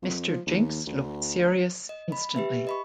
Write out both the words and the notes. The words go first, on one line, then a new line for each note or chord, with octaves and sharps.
Mr. Jinks looked serious instantly.
F2
F3
D#2
D2
D#5
B5
G4 B4 E5
D#5 B5 C#6